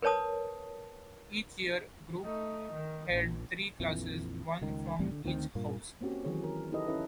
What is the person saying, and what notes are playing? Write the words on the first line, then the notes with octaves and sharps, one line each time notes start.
Each year group had three classes, one from each house.
A#4 B4 C#5 A5 D#6
A3 D#4
D#3
A#1
A#1 F2 E3
C#2 D#3
C2 A2 C3 G3
D3
D2 D#3 A3 C4
G2 A#2 A#3
A#3 C4 C#4 F#4 G4
D#3 E3 F#3 G#4 C#5
A#4
D#4 E4 G4 A4 B4 D#5
C#4 E4 A4 B4 E5